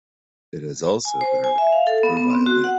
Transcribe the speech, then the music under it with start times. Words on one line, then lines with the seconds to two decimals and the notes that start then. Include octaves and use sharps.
It has also been arranged for violin.
1.05 G#5
1.21 C5
1.44 G#5
1.58 E5
1.72 F5
1.87 A4
2.03 B3
2.17 B3
2.30 C4
2.46 F#4
2.64 F#5